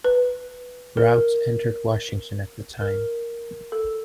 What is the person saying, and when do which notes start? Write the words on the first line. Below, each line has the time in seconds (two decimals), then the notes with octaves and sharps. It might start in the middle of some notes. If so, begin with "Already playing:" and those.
Routes entered Washington at the time.
0.04 B4
0.97 A#4
2.81 A#4
3.72 A4